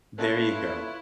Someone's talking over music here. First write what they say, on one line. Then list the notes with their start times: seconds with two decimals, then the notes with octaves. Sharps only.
There you go.
0.18 A#3 C#4 E4 F4 A4 B4 C#5